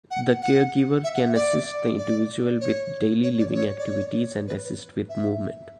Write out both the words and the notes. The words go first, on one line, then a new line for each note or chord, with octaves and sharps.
The caregiver can assist the individual with daily living activities and assist with movement.
F#5
F#5
E5
F#5
D5
D5
C#5
C#5
D5
C#5
D5
C#5
B4
E5